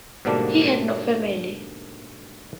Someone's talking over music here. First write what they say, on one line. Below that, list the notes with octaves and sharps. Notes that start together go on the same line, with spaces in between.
He had no family.
G#2 B2 D3 G3 A#3 D4